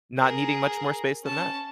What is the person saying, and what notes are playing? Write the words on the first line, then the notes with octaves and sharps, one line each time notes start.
not needing much more space than that.
G#4 A#4
C#4 A5